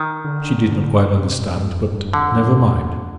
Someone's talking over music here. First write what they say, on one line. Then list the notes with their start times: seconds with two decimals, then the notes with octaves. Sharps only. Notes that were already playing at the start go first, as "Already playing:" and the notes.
She did not quite understand--but never mind.
Already playing: D#3
0.25 D3
1.19 C3
1.42 G2
1.67 F2
1.90 G2
2.05 G2
2.13 F2 D3